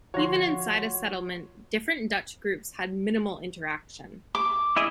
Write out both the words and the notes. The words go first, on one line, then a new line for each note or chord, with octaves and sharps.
Even inside a settlement, different Dutch groups had minimal interaction.
D3 F3 F4 F#4 C#5 F#5 C6
D6
E4 G#4 D#5